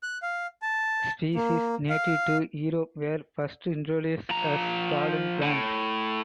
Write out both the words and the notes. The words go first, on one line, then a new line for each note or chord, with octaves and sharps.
Species native to Europe were first introduced as garden plants.
F#6
F5
A5
A#3
F5
F3 A#5
A2